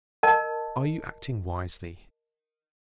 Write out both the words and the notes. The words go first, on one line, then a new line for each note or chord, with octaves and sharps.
'Are you acting wisely?
A#4 D#5 A5